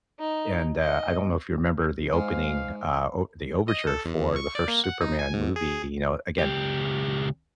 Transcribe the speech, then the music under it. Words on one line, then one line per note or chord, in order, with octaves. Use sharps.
and, uh, I don't know if you remember the opening, uh, o the overture for the first Superman movie, you know, again,
D#4
D#5
G#2 F5
D#5
A4
E2
C#6
D5
A#3
F#5
D#4
G#5
G#2
G#4
C#2 G4